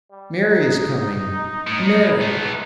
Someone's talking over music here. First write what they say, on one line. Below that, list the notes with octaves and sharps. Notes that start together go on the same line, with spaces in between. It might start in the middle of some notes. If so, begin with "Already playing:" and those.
Mary is coming! Mary!
G3
D#4
A2
A3 B3 D#4